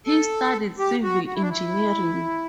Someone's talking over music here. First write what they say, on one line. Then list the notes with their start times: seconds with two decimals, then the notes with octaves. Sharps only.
He studied Civil Engineering.
0.06 A4
0.79 G4
1.03 F#4
1.27 F#4
1.35 E4
1.42 D4
1.49 E4